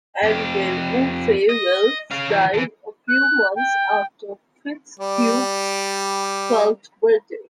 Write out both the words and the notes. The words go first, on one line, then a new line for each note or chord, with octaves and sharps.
Abigail Woolsey Wells died a few months after Fitz Hugh’s twelfth birthday.
F2 G4
D#5
C#4 F5
E3 F#3
E3 F3
F#6
G5
G3 D5